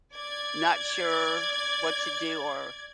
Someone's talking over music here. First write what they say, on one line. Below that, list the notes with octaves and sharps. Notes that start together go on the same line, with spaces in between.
not sure what to do, or
D5 G#6